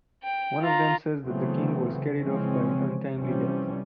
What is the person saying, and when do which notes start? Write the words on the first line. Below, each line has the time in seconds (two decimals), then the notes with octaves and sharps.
One of them says that the king was carried off by an untimely death.
0.23 G5
0.63 F4 A#5
1.24 C#3 E3 F#3 A3 B3 C4
2.19 C#3 E3 F3 G#3 C4 C#4
3.16 C3 E3 F3 G3 C4 C#4